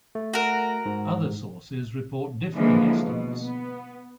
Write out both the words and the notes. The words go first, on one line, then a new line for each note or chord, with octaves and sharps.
Other sources report differing estimates.
A3
F#4 A#4
G#2
D3 E3 F3 G#3 A#3
B2
B3